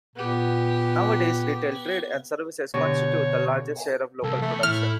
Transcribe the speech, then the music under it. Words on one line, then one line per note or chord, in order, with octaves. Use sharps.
Nowadays retail trade and services constitute the largest share of local production.
A#2 B3 G4
B2 D3 G4 C#5
C2 A#3 A4
E2 A3 E4
A2 E4 F6